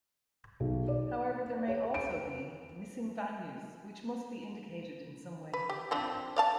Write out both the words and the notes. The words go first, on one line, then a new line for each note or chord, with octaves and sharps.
However, there may also be "missing values", which must be indicated in some way.
B1
D5
C#5
D7
B4
G4
F3 C4 D4
D5 F5 A5